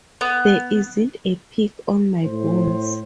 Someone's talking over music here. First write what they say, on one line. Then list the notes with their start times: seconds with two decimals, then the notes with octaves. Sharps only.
There isn’t a pick on my bones.
0.21 B3
2.23 A2 C5